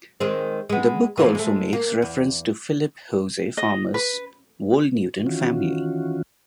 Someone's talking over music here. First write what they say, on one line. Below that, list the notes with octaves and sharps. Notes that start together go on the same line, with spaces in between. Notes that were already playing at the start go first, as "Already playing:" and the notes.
The book also makes reference to Philip Jose Farmer’s Wold Newton family.
D#3 G#3 C4
G#3 B3
E3 F3 A#3
G#3 A3
A#3
E2
D#5
B4
D#3 E3 C#4 F4 F#4